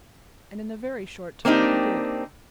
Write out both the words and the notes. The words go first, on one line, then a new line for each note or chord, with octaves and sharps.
And in a very short time he did.
A#3 C4 D4 D#4 G4